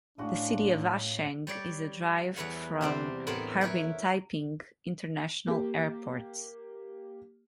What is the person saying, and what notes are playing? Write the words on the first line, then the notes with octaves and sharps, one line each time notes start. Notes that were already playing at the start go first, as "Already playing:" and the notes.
The city of Acheng is a drive from Harbin Taiping International Airport.
A2 C#3 D4 F4 F#4
G3 C#5 D5
E2 B4 C#5 F#5
C3 G3 C4 D4
A2 B3 C4 A#4 C#5 B5
E4 A#4 B4 C#5
A#3 G4